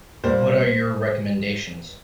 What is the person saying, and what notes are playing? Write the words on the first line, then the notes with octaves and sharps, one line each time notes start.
What are your recommendations?
A#2 G3 A#3 C5